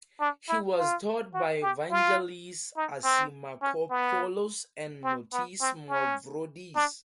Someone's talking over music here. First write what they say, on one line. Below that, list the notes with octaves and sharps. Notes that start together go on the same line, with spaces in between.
He was taught by Vangelis Assimakopoulos and Notis Mavroudis.
D4
E4
F4
F#4
G4
F4
D#4
C4
C#4
B3
C4
B3
C4
C#4
D4